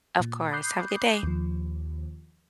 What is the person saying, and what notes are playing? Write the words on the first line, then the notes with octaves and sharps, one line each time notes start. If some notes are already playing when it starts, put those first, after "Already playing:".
Of course. Have a good day.
A#2
B5 D6 D#6 F#6 G6 C7
D#2 F3